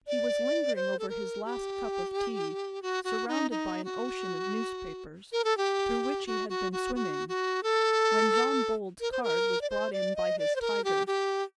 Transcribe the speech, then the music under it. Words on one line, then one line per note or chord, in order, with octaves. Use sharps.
He was lingering over his last cup of tea, surrounded by an ocean of newspapers, through which he had been swimming, when John Bold's card was brought in by his tiger.
D5
C5
A4
A#4
G4
F#4
F#4
D#4
D#4
F#4
A#4
A4
G4
F#4
F#4
F#4
F#4
F#4
A4
A#4
C5
A#4
D5
C5
D5
D#5
D5
C5
A#4
G4
G4